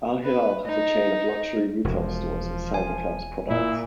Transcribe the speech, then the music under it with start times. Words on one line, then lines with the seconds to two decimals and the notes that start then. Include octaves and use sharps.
Al-Hilal has a chain of luxury retail stores that sell the club's products.
0.24 B4
0.65 D#4
1.84 E1 E2 F3 G#3
2.74 G#5
3.48 A#2 E4